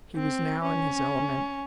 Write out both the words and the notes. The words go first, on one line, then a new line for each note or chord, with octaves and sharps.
He was now in his element.
C4
C#4